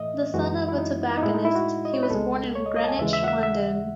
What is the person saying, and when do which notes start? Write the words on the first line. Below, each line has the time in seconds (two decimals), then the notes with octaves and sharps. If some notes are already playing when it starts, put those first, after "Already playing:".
The son of a tobacconist, he was born in Greenwich, London.
Already playing: A2 E3 A3 D#5 E5
0.34 F#2 E3 G#3 F#4
0.69 E4
0.78 D#4
1.17 D#4
1.23 A2 G#3 E4
1.34 D#4
1.45 E4
1.55 F#4
1.85 D#5
1.93 C#5
2.03 B4
2.10 C#2 B2 G#3 A4
2.55 C#5
2.66 D#5
2.76 D#5
2.84 A5
2.88 G#5
2.98 D#2 C#3 E3 G#3 E5
3.13 E5
3.24 F#5
3.28 E5
3.43 E5